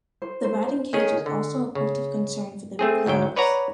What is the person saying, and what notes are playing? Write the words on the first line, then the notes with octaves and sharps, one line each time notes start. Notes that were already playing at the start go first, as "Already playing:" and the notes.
The batting cage is also a point of concern for the players.
C5
C5
C5
D#3 C#4 G#4
D3
C#3
A3 C4 G#4
D2 G#2 F#3 G5
B4 C#5 D5 F#5 A#5